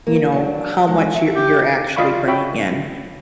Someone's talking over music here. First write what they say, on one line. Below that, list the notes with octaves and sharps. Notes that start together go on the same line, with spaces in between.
you know, how much you're you're actually bringing in,
A#3
F#3 D4
D#3 G#3
E5
G4
F4 D5 D#5 F5 B5 C#6
F#4 C#5 E5 G5 B5